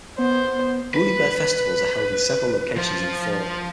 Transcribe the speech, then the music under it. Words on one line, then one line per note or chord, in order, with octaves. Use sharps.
Woolleybear Festivals are held in several locations in the fall.
B3 C5
B4
F3 C5